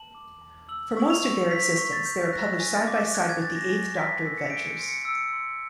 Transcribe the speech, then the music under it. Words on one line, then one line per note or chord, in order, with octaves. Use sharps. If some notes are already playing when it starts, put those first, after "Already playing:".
For most of their existence, they were published side-by-side with the Eighth Doctor Adventures.
Already playing: A5 F#7
D6
A5
E6 F#7
C#6 F#7
F7
C#6
G6 B6
C#6
A6
G6
F#6 A#6
G#5
A6
D6
F#6 G#6
G#6
F#6 A6
A#6
G#5
C6 B6
E6
C#7
G6 D7
C#7
C6 D7
C#7
E6 D7
C#7
C6